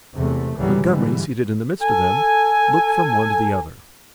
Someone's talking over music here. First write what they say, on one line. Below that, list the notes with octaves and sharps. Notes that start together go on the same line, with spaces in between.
Montgomery seated in the midst of them, looked from one to the other.
E2 C3 A3
G#1 C#2 E3 F#3 G3
G#2 D3 E3 G3
A4 G#5